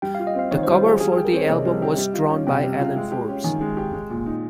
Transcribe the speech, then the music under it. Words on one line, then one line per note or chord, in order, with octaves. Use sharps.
The cover for the album was drawn by Alan Forbes.
G3 G5
F5
F4
D#5
C4 F5
D#3 C#5
C5
G3
C5
F4 G#4
G3 G#4
G#4
G4
A#4
C4 C#5
C3 D#5
G3
G4
G3
F4
C#4
C3 G5
G3
F4
G#3
G4
C#4
D#3 G#5
G#3
G4
G#3
A#2
D#4